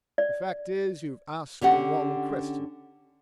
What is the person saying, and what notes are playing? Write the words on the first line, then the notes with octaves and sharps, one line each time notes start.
The fact is you've asked the wrong question.
D5
D3 C#4 G4 F#5